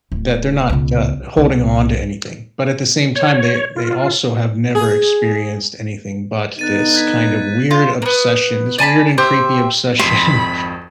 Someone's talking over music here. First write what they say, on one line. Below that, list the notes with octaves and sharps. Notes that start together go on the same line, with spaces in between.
That they're not, uh, holding on to anything, but at the same time they they also have never experienced anything but this kind of weird obsession, this weird and creepy obsession
D1
C#2 B2
C2
C#5
F4
G#4
D3 B3 D#4 F#6 A6 D#7
F#6 G#6 B6
F4
A#3 B3
D5 G#5 A5 B5
G4 C5 E5
G#1 F2 B5 C6